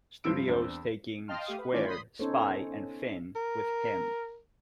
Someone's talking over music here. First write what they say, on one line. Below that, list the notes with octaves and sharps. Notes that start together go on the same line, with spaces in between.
Studios, taking "Squared", "Spy", and "Finn" with him.
G2 F3 C4 E6 D7
E2 C4 D4
D#5 F5 G5 A5 C6 F6
A3 G4 F5 D#6
B4
D#3 E3 A3 C#4 F4 D5
B5 C6 D#6
B3 C#4 D#4 A4 C5 C#5
A#4